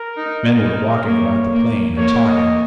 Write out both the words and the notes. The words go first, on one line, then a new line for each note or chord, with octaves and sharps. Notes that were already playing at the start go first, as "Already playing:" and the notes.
Men were walking about the plain and talking.
Already playing: A#4
D#4
D#4
A#3 C#5
A#3
A#3 C#5
D#5